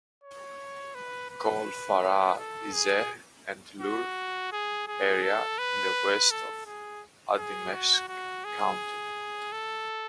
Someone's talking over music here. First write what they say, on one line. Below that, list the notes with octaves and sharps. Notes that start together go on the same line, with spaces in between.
Cole Farah Izeh and Lure area in the west of Andimeshk County.
C#5
B4
B4
A4
G#4
F#4
G#4
G#4
A4
B4
A4
G#4
G#4
F#4
F#4
G#4
A4